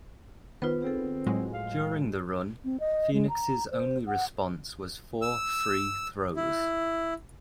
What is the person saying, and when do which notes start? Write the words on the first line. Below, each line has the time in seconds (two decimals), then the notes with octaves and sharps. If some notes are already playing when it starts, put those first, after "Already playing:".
During the run, Phoenix's only response was four free throws.
0.62 D#3 B3 F4 B4 C5
0.82 C4 G#4 A4
1.26 A2 F#3 G#3
1.54 F5
2.64 C4
2.80 D#5
3.13 G#3
3.29 A#5
3.71 C5
4.07 F#5
5.22 E6
6.36 E4